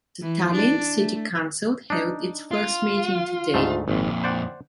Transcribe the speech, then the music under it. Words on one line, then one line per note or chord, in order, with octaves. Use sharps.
The Tallinn City Council held its first meeting today.
E3
D4
A3
D4 D#4
F4
D2 G#2 A3
G#1 F2 A#2
C5 D5 F#5